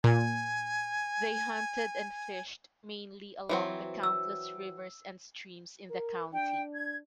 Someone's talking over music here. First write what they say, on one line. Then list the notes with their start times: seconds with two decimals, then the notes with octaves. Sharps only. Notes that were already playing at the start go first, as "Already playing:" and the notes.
They hunted and fished mainly along the countless rivers and streams in the county.
0.04 A#2 G#5
3.49 E3 F#3 C4
4.03 E6
5.91 A#4
6.33 D4 G5
6.73 G#6